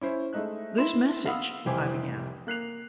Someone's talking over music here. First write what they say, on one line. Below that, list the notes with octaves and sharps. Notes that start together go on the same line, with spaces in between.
"This message," I began...
C#4 E4 C5
G#3 A3 D#4 E5 F#6
E4 C6 E7
F5 F#5 B5 D#6 E6
F1 C2 E3 G4 C5 G#5
A#3 F#6 C7 F7